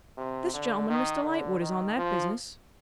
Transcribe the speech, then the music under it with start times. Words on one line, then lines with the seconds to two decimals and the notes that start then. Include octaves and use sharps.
'This gentleman, Mr Lightwood, is on that business.'
0.18 C3
0.53 D3
0.89 D#3
1.25 D3
1.60 D#3
1.96 F3